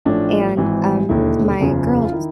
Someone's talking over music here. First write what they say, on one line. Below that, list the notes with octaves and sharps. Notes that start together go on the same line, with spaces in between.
and, um, my girl
A1 A2 F3 D4
G#1 G#2 E3
E1 D#2 D3 E4
F#1 E2 C#3 F3
F4
D#3 E4